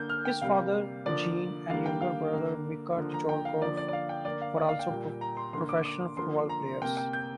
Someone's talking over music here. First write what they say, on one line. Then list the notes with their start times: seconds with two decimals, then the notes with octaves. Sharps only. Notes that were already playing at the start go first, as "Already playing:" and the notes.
His father, Jean, and younger brother, Micha Djorkaeff, were also professional football players.
Already playing: D3 A#3 G6
0.10 F6
0.25 G5
0.42 C3 G3 A#3 F5
1.06 D3 F3 A#3 D5
1.69 D3 G3 A#3 F5
1.86 G5
2.01 F5
2.33 D3 A#3
2.97 D3 F3 A#3
3.14 A#5
3.29 G5
3.45 F5
3.61 D3 F3 A#3 D5
3.77 D5
3.88 D5
3.93 F5
4.09 G5
4.25 D3 A#3 D5
4.42 F5
4.57 D5
4.69 F5
4.79 G5
4.89 A#2 G3 A#3
5.21 A#5
5.37 C6
5.53 D3 A#3 C6
5.69 D6
5.85 D6
6.17 D3 F3 A#3 C6
6.49 A#5
6.82 C3 A#3 G5
6.97 G5
7.13 G6